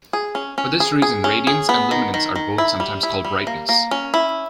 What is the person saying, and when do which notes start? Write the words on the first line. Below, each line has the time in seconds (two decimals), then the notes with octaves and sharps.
For this reason, radiance and luminance are both sometimes called "brightness".
0.13 G#4
0.35 C#4
0.58 C#4
0.80 G#4
1.02 G#4
1.24 C#4
1.47 G#4
1.69 B3
1.91 D#3
2.14 D#3
2.35 D#3
2.58 E4
2.80 G3
3.03 E4
3.24 G3
3.47 A#3
3.69 A#3
3.91 C#4
4.14 E4